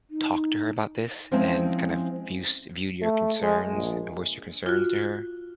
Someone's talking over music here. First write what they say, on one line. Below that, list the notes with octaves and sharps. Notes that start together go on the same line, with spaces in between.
talked to her about this and kind of views viewed your concerns a voiced your concerns to her?
D#4
F3 G#3 C4 C#4 E4 A5
A3
G#3
A#1
F4 F#4